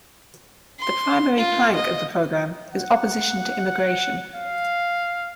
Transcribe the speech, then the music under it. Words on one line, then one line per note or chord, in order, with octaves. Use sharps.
The primary plank of the program is opposition to immigration.
C6
F4
D#5
F#5
F5